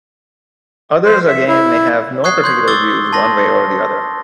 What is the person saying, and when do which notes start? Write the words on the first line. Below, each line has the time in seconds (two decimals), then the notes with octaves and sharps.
Others again may have no particular views one way or the other.
1.05 C5
1.27 E5
1.48 E4
2.24 C#6 D#6 F#6 G#6 C7
2.44 C6 G6 G#6
2.68 D6 E6 A6 G7
3.13 A5 C6 A#6